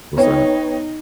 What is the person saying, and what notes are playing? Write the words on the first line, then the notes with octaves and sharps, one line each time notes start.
What's that?
B3 D#4 C#5 G5